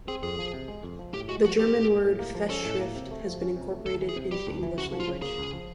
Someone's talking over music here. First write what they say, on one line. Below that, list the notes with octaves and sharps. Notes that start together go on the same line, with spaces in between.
The German word "Festschrift" has been incorporated into the English language.
C4 G#4
F2 G#4
F3
C3
G#3
F2
F3
A2 G4
G#3 F#4
F3 F#4
C4 G4
A2
G#3
A2
A#3
F3
C#4 A4
A2
A#3
C3
A3
F3
C#4
C3
A3
D2 A4
E3
G#4
C3
G3 G4
D2
E3
C#2 F#4
F3
F4
C#3
A#3 G#4
C#2
F3